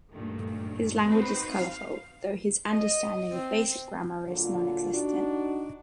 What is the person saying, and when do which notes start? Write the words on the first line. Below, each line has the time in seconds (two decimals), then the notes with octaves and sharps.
His language is colourful though his understanding of basic grammar is non-existent.
0.13 D2 G2 A#2 D#3 A3
1.06 C4 D#4 F#4 B4 C5
1.54 F5
2.70 D#5
3.31 C4
4.27 A#2 D3 F#3 F4
4.94 D4 D#4 F#4